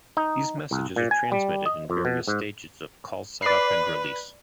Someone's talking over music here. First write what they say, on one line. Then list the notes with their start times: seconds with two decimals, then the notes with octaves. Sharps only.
These messages are transmitted in various stages of call setup and release.
0.17 D#4
0.71 C2
0.96 A#2
1.11 G#5
1.32 G3
1.66 D#5
1.90 F2
2.05 B2
2.28 G#2
3.42 B4 D5 C7